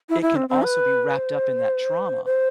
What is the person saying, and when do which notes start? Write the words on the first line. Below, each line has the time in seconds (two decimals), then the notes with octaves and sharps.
it can also be wrapped up in that trauma.
0.09 E4
0.22 E4
0.36 C4
0.49 C4
0.63 B4
1.17 C5
2.25 C5